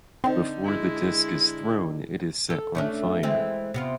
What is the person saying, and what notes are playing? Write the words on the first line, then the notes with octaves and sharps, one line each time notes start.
Before the disc is thrown it is set on fire.
D3 C4 D#4
G#3 E4
A4
A3 C#4 D4
E3 G#3 C4
C3 B3 F4